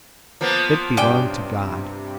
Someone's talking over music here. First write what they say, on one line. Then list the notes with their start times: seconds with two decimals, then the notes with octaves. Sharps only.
It belonged to God.
0.41 F3 A#3 B3
0.97 G2 C3 C#4 D5 G5